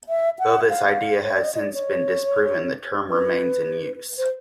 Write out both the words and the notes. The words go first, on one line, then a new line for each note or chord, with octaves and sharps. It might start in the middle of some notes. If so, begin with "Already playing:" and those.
Though this idea has since been disproven, the term remains in use.
E5
F#5
F5
C#5
D5
D#5
D#5
D5
C#5
B4
C5